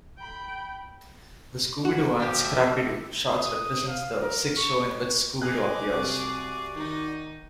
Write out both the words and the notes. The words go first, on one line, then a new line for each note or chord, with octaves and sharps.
The "Scooby-Doo and Scrappy-Doo" shorts represents the sixth show in which Scooby-Doo appears.
G5 B5
F#4
F3 G4
E5
D#6
F5
A#4
C#6
C#5
G#4 D#5 G#5 D6 F#6 F7
C2 F#4 D5 F#6
D#3 D#4